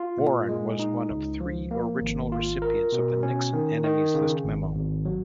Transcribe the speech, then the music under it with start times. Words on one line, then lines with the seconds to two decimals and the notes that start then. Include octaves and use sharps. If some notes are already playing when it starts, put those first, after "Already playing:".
Warren was one of three original recipients of the Nixon enemies list memo.
Already playing: F4
0.18 A#2
0.49 G#3
0.79 D#4
1.10 C#2
1.40 F3
1.71 A#3
2.01 G#1
2.32 F4
2.62 A#4
2.92 B2
3.23 C#4
3.53 D#3
3.84 D#3
4.14 C#3
4.45 G#1
4.75 G#1
5.05 F#3